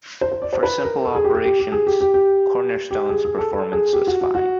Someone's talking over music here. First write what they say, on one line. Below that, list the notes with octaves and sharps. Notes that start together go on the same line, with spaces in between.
For simple operations, Cornerstone's performance was fine.
C5
C5
D5
C5
B4
A#4
A4
G#4
G4
G4
G4
G4
G#4
G4
G4
G4
G4
G#4
G#4
A4
A4
G#4
G4
F#4
F#4
F#4